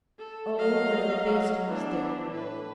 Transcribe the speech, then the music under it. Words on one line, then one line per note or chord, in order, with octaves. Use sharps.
Oh, what a basting's there!'
A4
F#3 D#5 F5
F#3
E3 B3 D4
A2 B4